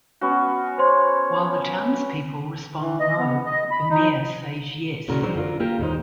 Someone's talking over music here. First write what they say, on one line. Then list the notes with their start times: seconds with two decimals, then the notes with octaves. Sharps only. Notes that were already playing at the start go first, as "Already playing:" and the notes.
While the townspeople respond no, the mayor says Yes.
0.21 B3 C#4 F#4
0.78 C5 C#5 C6
2.80 E3
3.00 D#5
3.19 B3
3.46 D#5
3.71 B5
3.90 D#4
5.08 A#2 C#3 F#4 A#4
5.22 E3 F#3 D4 A#4 C5
5.36 D3 F4 A#4
5.60 A#3 F4 G4 A#4 F5
5.80 D#2 A#2 G#3 D#4 C5